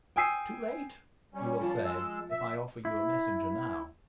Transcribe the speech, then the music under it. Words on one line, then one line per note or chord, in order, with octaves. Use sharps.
"Too late," you will say if I offer you a Messenger now.
G5 G#5 D#6 E6 C7 D#7
G3 C#4
F3 F5 A5
G#3 E6
E5
E4